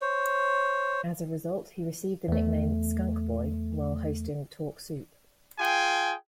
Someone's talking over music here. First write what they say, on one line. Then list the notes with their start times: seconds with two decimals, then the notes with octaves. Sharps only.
As a result, he received the nickname "Skunk Boy" while hosting "Talk Soup".
0.02 C5 C#5
2.28 E2 A3
5.59 F4 G#4 G5 G#5